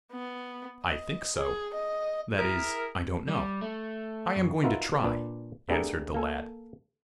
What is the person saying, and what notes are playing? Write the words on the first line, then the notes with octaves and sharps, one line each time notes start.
"I think so--that is I don't know--I am going to try," answered the lad.
B3
D#5
G#4
D#5
E4 G#4 A#4
G3
A3
F#2
D#4 F4 F#4 A#4 B4 E5
A#2 D4 B4 D5
A3 B3 D4 G4 G#4 A#4
A#3 A4 G#5